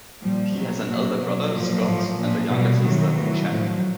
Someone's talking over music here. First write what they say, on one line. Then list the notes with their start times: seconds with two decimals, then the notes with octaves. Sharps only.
He has an elder brother, Scott, and a younger sister, Shannon.
0.21 A#2 F3 G3
0.55 B2 F#3
0.87 A#2 F3 F#3
1.20 B2 F#3
1.52 A#2 F3
1.85 A2 F3
2.17 A#2 F3
2.50 B2 G3
2.82 C3 D#3 F#3
3.15 A2 E3
3.48 A2 F3 F#3